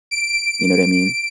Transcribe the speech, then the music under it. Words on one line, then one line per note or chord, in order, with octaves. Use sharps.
you know what I mean?
D7